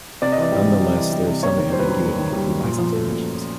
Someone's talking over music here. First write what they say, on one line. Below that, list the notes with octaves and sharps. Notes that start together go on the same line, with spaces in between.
Nonetheless, there is some ambiguity in the licence conditions.
C3 D5
D#5
E3 D5
G3
C3
C3
E3
G3
C3
A#3 C#5
D#3
G3 C5
B4
F#2 C5
A#3
D#3
G3
F#2
A#2
F3
A3
A#2